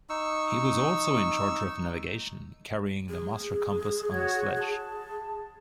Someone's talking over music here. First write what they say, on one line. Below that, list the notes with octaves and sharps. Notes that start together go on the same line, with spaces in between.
He was also in charge of navigation, carrying the master compass on his sledge.
D#4 C#6 E6
G#4
F#4 C#5 G#6
G#4 A5